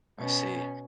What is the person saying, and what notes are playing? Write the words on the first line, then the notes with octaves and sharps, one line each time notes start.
I see.
B2 C#4